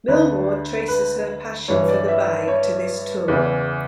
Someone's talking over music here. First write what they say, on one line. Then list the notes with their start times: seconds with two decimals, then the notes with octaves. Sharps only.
Millward traces her passion for the bike to this tour.
0.08 D2 D3 B4
0.88 B4
1.68 G2 E3 C#5
1.88 D5
2.08 E5
2.48 C#5
3.28 E2 C#3 E3